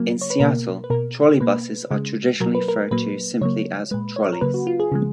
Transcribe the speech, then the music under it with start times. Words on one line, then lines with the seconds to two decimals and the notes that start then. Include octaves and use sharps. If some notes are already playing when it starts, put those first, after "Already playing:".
In Seattle, trolleybuses are traditionally referred to simply as "trolleys".
Already playing: C#3 F#3 A#3
0.21 C#5
0.30 B4
0.40 B2 A#3 A#4
0.84 B4
0.90 B2 A#3 A#4
1.40 B2 A#3 B4
1.91 C#3 G#3
2.40 B2 F#3 A#3 A#4
2.55 B4
2.68 A#4
2.91 A#2 F#3 A#3 B4
3.41 C#3 F#3 A#3 C#5
3.91 A#2 G#3 B4
4.16 C#5
4.33 A#4
4.41 C#3 F#3 A#3 B4
4.54 F#4
4.67 F4
4.80 G#4
4.92 C#3 F3 G#3